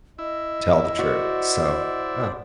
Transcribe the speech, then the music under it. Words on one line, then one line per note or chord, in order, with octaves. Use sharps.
tell the truth? So, uh,
E4 D#5
F#4 C5 D5